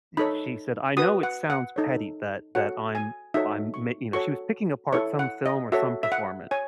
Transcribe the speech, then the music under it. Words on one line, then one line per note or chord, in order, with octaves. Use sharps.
y she said, "I know it sounds petty that that I'm I'm ma" you know, she was picking apart some film or some performance.
D#4 A4 C#5 B5
F#4 B4 D#6
F#5
F#5
D#4 A4 C#5
F#4 A4 C#5 F#5
G#5
D#4 F#4 A4 C#5 E5
C#6
F#4 A4 C#5 C#6
E4 A4 C#5 C#6
F#5
D#5
F#4 A4 C#5 E5
E5
F#5
C#5 G#5